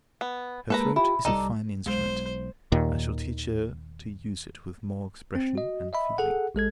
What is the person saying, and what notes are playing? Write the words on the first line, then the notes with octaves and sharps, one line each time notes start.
Her throat is a fine instrument; I shall teach her to use it with more expression and feeling.
B3
G#3 A#3 A4 B4 A#5
E4 F4 G4
C2 G3 D#4 A4 D5
B1 G#3 C5
D#2 A#2 D#3
C4
F#4 D#5
D#5 E5 B5
G#4 A4 F#5
A1 G#3 A4 G#6